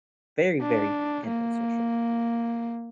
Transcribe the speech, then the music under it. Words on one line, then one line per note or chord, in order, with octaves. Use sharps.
very, very antisocial.
D4
A#3